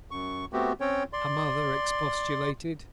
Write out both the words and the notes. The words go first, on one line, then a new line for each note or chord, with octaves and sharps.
Her mother expostulated.
F#2 C#6
A3 B3 C4 F#4 G4
C4 C#4 C#5 G5
D5 C6